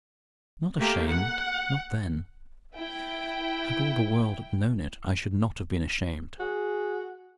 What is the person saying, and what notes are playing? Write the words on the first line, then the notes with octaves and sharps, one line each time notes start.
I was not ashamed--not then. Had all the world known it I should not have been ashamed.
A3 A#3 G4
F#5
E4 G5
F#4 G#4